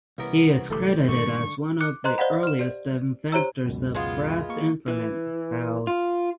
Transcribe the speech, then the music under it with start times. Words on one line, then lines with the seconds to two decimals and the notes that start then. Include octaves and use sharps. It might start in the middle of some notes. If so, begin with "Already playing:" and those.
He is credited as one of the earliest inventors of brass instrument valves.
0.18 C2 E3 B3 C#4 A#4
0.70 G1 E3 A3 G4 A4
1.09 G2 D3 D#3 A3 C#6
1.80 D6 F#6 C#7
2.04 C5 D#5 A#5 C6 F#6
2.18 C5 D5 D#5 F5 F#5 B5
2.43 F6 E7
2.59 G4 D5
3.32 G4 C5 C#5 A#5 E6
3.64 C#2 F#2 B2
3.95 G#3 B3 F4
4.49 A#3 A#4 C#6
4.88 E3
5.87 F4